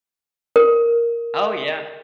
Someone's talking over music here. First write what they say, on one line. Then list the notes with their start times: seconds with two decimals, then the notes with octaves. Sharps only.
Oh, yeah.
0.56 A#4